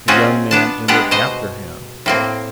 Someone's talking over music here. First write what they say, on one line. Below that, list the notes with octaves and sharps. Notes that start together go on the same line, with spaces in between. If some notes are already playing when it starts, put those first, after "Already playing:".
The young man entered after him.
C4 C#4 D#4 F4 F#4 G#4
B3 D4 A5
G3 G#3 B3 D4 G4 F#5
B2 C5 D#5
A2 A#3 C4